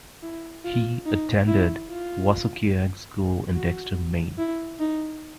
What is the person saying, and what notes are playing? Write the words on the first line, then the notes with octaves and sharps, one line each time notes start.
He attended Wassookeag School in Dexter, Maine.
E4
F4
D#4
E4
F4
F#4
E4
D#4